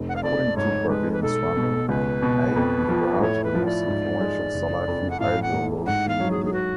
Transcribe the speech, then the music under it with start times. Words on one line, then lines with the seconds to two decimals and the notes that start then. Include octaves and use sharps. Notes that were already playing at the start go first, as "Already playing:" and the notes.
According to Praveen Swami, Naik is "perhaps the most influential Salafi ideologue in India".
Already playing: F1
0.09 F#5
0.16 F5
0.23 F2 D5
0.57 G#2 C#5
0.89 G#3 B4
1.13 B4
1.23 B1 A4
1.56 B2
1.89 C#2 B4
2.22 B2
2.56 F2
2.89 F3
3.21 A2 C#5
3.44 B4
3.55 F3
3.66 D5
3.88 G#2
4.21 G#3
4.54 F#1
4.87 F2
5.10 F#5
5.20 A1 F5
5.42 F#5
5.53 A2
5.86 G#2 F#5
6.09 F5
6.20 F#3
6.31 G#4
6.45 G#4
6.53 F#4